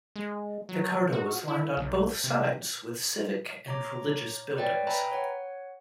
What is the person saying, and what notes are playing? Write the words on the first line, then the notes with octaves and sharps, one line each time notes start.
The cardo was lined on both sides with civic and religious buildings.
G#3
F#3
F#4
E4
B1
C3
C#5 A#5 D6
B4 C#5 D5 E5 G5
B4 E5 G5 G#5 A#5 B5
C#5 F#5